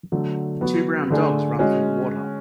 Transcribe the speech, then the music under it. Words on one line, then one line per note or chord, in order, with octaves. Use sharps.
Two brown dogs runs through the water.
D3 F#3 A3
F#3 B3 F#4
D3 A3 D4 G#4
G#3 C#4 F#4